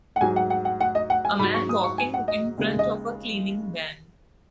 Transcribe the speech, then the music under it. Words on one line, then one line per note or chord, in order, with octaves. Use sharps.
A man walking in front of a cleaning van.
F#5
G#2 F#3 G#5
F#5
F#5
F#5
F#5
D#5
F#5
G#5
G#2 F#3 B5
C#6
D#6
C#6
G#5
F#5
D#5
D#2 C#3 G#3
D#5